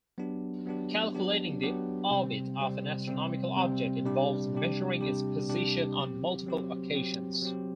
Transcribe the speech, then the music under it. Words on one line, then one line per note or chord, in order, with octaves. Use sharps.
Calculating the orbit of an astronomical object involves measuring its position on multiple occasions.
F#3 B3 D4 G4
F#3 B3 D4 G4
F#3 B3 D4 G4
F#3 B3 D4 G4
C3 G3 C4
C3 G3 C4
C3 G3 C4
C3 G3 C4
C3 G3 D4 G4
C3 G3 D4 G4
C3 G3 D4 G4
C3 G3 D4 G4
F#3 C4 G4
F#3 C4 G4
F#3 C4 G4
F#3 C4 G4